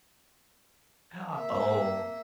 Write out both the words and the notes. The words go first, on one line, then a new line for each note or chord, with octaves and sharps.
Ha Oh.
A#3 E5